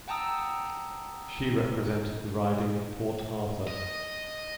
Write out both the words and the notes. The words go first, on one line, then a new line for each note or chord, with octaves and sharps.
She represented the riding of Port Arthur.
F#5 G5 A5 A#5 D#6 E6
D#5